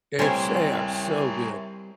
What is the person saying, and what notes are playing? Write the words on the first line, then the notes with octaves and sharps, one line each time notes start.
Yes, they are so good.
G3 C4 E4 A#4 C#5 G#5 C6